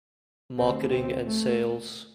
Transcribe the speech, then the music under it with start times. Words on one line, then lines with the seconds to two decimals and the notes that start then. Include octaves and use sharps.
Marketing and Sales.
0.58 D2 C3 C4
0.92 C4
1.26 A3